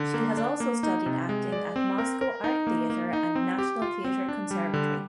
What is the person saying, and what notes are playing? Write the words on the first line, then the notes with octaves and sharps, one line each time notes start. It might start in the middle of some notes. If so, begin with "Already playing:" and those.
She has also studied acting at Moscow Art Theatre and National Theatre Conservatory.
Already playing: D3
A#3
D4
A#3
D#4
C3
G#3
D5
C4
A#4
A#4
D#4
A#3
A#3
D#4
C4
G4
F4
C4
D4
G3
D3